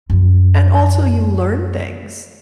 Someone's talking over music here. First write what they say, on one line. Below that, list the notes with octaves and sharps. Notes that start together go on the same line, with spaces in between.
and also you learn things.
F#2 F3